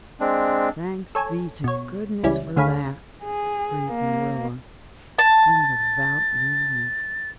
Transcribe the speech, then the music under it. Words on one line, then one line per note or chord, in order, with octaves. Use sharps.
"Thanks be to goodness for that," breathed Marilla in devout relief.
G#3 C4 D4
A4 C#5 G#5
B2 C#5
C#2 E3 G3 C#4 E4
D2 D3 G#4 C#5 F5 B5
G#4
A#3
A5 A6